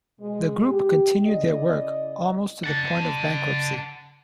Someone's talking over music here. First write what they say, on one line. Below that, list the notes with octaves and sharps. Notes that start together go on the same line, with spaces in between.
The group continued their work, almost to the point of bankruptcy.
B2 G#3
G4
C#3 E4 D5 D#5
F#5 A5